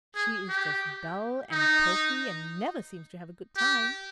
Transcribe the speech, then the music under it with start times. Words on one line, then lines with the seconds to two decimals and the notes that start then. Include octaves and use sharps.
She is just dull and poky and never seems to have a good time.
0.15 G#4
0.49 G4
1.51 D#4
3.57 G4